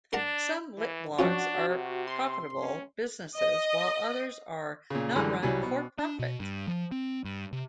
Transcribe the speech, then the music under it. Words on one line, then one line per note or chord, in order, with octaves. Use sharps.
Some litblogs are profitable businesses while others are not run for profit.
D4 A#4 F#5 A#5
E3
F3 C#4 D4 F4 F#4
C3
C6
C#4
D#5
A#2 C#3
F#2 D3 E3 G3 G#3
C2 F#3 G3 G#5
B2
D4
B2
G2
F3
C4
G2
C3